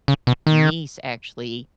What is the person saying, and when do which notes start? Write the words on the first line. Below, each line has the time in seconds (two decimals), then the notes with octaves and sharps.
niece actually,
0.08 C#3
0.27 B2
0.47 D#3